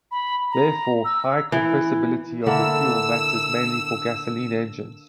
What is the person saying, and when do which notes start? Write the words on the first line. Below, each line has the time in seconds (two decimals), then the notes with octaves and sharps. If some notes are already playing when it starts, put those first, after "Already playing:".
Therefore, high compressibility of the fuel matters mainly for gasoline engines.
0.11 B5
0.52 A#5
1.05 E6
1.52 E3
2.46 D3 A#3 E4 E6